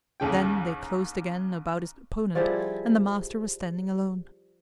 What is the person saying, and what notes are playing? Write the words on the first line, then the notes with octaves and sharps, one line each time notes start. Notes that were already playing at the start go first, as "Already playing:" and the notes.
Then they closed again about his opponent, and the master was standing alone.
A1 D#2 C#3 G5
F3 G3 E4 G#4